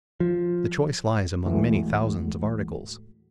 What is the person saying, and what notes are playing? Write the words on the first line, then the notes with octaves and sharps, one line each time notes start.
The choice lies among many thousands of articles.
F3
D2 A2 E3 G#3 A3 F#4